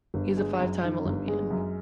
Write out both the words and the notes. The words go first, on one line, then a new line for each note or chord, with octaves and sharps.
He is a five-time Olympian.
G1
G#3
F#2
D#3
G1
G#3
F#2